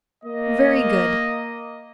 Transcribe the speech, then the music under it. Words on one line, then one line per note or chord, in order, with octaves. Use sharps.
Very good.
A#3 D#5